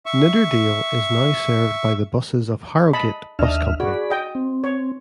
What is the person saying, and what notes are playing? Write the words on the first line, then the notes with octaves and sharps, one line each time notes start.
Nidderdale is now served by the buses of Harrogate Bus Company.
E5 C#6
D#5 A5 B5
D#2 D4 D#5 E5 F6
F#4 G#4 D5 B5
D#5 G5
C4
C#5